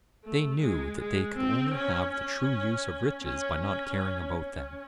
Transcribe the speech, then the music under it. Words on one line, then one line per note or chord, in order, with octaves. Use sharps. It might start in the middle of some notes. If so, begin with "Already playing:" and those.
They knew that they could only have the true use of riches by not caring about them.
A3
G#3
G#3
C4
C#4
C#4
C#4
C#4
C#4